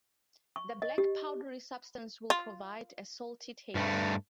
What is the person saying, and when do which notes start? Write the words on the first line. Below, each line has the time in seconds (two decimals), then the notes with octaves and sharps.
This black, powdery substance will provide a salty taste.
0.56 C#6
0.82 D#5
0.98 G4
2.30 F4
3.75 G2 A3